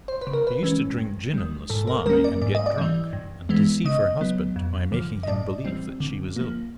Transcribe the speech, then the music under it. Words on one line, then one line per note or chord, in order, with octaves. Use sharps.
She used to drink gin on the sly, and get drunk, and deceive her husband by making him believe that she was ill.
C5
B4
C#3
A#4
B4
E3 G#3 C#4
G2
D#3 G3
G#2 A4
A#4
D#3 G3 A#3 C#4 A#4
D5
G#2 D5
D#5
D5
E3 G3
G2
E3 G#3 B3
C#3 D#5
F#3 B3
F2
D3 F3
D#5
A2 D5
E3 G3 C4
D3
F3 A#3